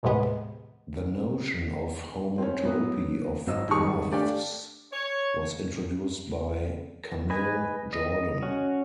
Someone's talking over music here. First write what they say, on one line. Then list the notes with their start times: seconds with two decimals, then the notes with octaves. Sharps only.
The notion of homotopy of paths was introduced by Camille Jordan.
0.03 D#2 A2 C3 G#3 B3
2.38 C4 C#4
2.63 F#3 B3
3.47 G#1 F#3 D#5 E6
3.68 G#2 D#3 G3 C#6
4.11 A3 D4 G4 D5 F5 G5
4.92 C#5
7.30 B4 D#5 G#5
7.93 D#5
8.42 C#4 F#4